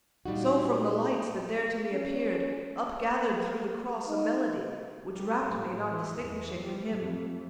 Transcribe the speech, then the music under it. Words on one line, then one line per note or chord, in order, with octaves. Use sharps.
So from the lights that there to me appeared Upgathered through the cross a melody, Which rapt me, not distinguishing the hymn.
A#2 G3 D#4 F#4
C#4
D#4
G3
A2
E3
E2
G3
F2